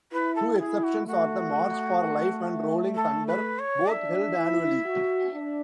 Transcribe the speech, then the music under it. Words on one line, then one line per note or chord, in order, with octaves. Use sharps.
Two exceptions are the March for Life and Rolling Thunder, both held annually.
E4 B4
A4
E4 G#4
F#4
A3 F#4
A4
B4
C#5
D4 E5
E4
F#4
D4